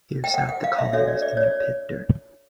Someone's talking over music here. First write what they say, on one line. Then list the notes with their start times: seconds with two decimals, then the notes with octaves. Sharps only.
Here sat the colliers in their pit-dirt.
0.24 G5
0.34 F#5
0.49 F#5
0.64 F5
0.79 E5
0.93 D4 F#4 A4 C#5 E5
1.08 D5
1.22 D5
1.37 C#5